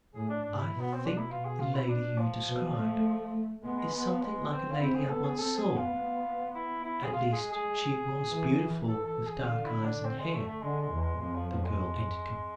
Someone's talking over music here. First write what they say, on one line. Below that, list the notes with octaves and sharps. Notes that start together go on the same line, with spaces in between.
"I think the lady you describe, is something like a lady I once saw; at least, she was beautiful, with dark eyes and hair," the girl ended confusedly.
A2 G#4
D4
G#2 D4
E4
B2
B3
C4
D4
E4
B2 F4
G#4
F4
E4
D4
F3
B2
A3
G#3 B3
G#3
G#3
F3
G#3
C4
F4
C4 E4
G#4
B3 A4
G#4
C4 A4
G#4
B3
F4
B3
E4
E4
G#4
G#3 F4
G#4
G#4
E3
A4
A4
G#4
D3 F4
E4
D4
C4
G#3
A3
A3
D3 G#3
G#3
E2
G#3
F2 G#3
F3
F3
G#3